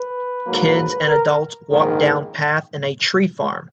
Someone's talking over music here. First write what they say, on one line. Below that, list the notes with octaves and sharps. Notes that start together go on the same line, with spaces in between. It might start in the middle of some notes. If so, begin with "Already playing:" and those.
Kids and adults walk down path in a tree farm.
Already playing: B4
G#2 F#3 A#3
A#4
A#1 G#2 D#3